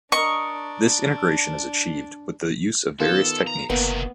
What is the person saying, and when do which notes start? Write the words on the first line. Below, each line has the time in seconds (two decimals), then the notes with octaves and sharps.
This integration is achieved with the use of various techniques.
0.12 D4 A#4 D#5 C#6
3.00 D#3 B3 F4 A4
3.47 A#5
3.70 F#1 C3 D#3 A#3 B3